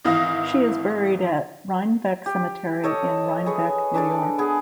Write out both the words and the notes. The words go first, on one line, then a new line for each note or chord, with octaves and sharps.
She is buried at Rhinebeck Cemetery in Rhinebeck, New York.
G#1 E3 E4 F5 D#6 A#6
G4
A4 C#5 D#5
G#4 B4 C#5
D4 G#4 A4 D5
B3 G#4